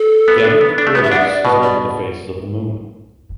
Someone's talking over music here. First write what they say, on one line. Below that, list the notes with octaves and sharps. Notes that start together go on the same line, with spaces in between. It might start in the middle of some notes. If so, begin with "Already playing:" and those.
Gamete release is linked to the phases of the moon.
Already playing: A4
B3
D4
B3
D4
A3
B3 B4
E5
D4 F#5
E5
D5
B2 B4
D5